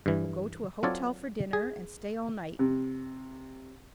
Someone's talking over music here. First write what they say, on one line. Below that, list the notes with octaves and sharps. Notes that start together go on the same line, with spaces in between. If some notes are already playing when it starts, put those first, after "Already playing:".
We'll go to a hotel for dinner, and stay all night.
G2 E3
F#3 C4 F4 A4 C#5 D5
G#4
C3